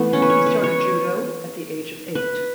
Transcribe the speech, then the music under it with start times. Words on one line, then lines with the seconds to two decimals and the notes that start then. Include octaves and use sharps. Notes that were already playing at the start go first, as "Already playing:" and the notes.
He started judo at the age of eight.
Already playing: E3 A3 B3
0.13 C#4
0.22 B4
0.30 C#5
0.46 B4
0.64 C#5
2.15 B4